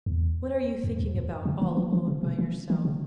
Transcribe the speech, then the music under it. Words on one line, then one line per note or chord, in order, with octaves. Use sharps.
What are you thinking about all alone by yourself?
E2
F2
E2
F2
C#3
E3
F3
E3
C#3
C3
E3
E3
C#3